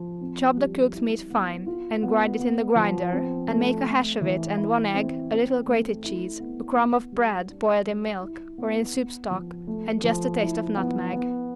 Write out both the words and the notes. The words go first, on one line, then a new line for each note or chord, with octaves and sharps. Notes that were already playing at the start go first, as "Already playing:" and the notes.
Chop the cooked meat fine and grind it in the grinder and make a hash of it and one egg, a little grated cheese, a crumb of bread boiled in milk or in soup stock and just a taste of nutmeg.
Already playing: F3
C4
G3
E4
B3
F4
B3
B3
F3
C4
A3
A3
E3
E4
C4
C4
A3
E4
B3
B3
G3
D4
G3
E4
B3
B3
F3
A3
F3
E4
B3
B3